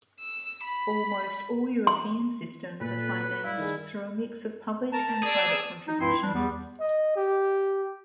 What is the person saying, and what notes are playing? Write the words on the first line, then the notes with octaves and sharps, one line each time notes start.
Almost all European systems are financed through a mix of public and private contributions.
E6
B5
C6
A#2 A4 B4
G3 E4 F5
D#3 G#4
A#4 A5 A#5
G#4 D5 E6
D#4
C#2 G2 C4 E4 C6
G3 D4
E2 G3 B3 G4
D#5
G4